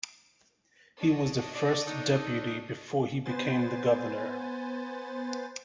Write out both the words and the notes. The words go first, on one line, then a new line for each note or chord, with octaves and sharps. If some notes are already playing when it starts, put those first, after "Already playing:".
He was the first deputy before he became the governor.
D4 C#5 D#5
D5
D3 D#4
B3 B4 C5 G#5 A6